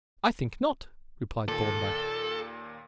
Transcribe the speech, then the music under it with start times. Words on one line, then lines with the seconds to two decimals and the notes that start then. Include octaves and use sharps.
"I think not," replied Thorndyke.
1.48 D#2 A#2 A4